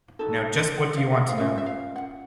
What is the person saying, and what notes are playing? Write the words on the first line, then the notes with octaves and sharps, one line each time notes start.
Now just what do you want to know.
D#4 F#4 A4
F#5
F5
F5
C#4 F4 A#4 E5
E5
F5
F#5